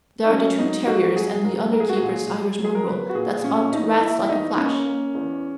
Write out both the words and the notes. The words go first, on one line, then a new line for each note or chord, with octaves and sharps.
There are the two terriers and the under-keeper's Irish mongrel that's on to rats like a flash.
D#4
F#3 C#4
G#2 D#4
G#2 F#4
F#3 G#4
G#2 A#4
G#2 A#4
G#4
F#4
A#2 G#4
F#3
F#3
G#4
A#4
B3 B4
F#4
A#2 G#4
A#2 C#4
E2 D#4
A#3 E4
E4
E2 D#4
D#4
A#3 C#4
A#3
E2